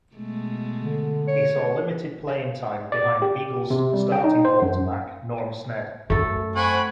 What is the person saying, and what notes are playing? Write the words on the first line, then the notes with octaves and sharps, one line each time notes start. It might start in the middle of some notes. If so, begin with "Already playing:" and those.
He saw limited playing time behind Eagles starting quarterback Norm Snead.
B2 G#3 A3
D3
C#5
D5
G4
C3
G3
G5
D#4
C5
F#2
F#2 A3 A4
C4 F#5 G#5 B5 C#6